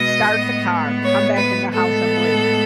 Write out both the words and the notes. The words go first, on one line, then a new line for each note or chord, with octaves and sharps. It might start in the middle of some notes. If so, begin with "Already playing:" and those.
start the car, come back in the house, and wait.
Already playing: B2 G#3 B3 D#5
A2 G#3 B3
C#5
B4
A2 G#3 B3 A4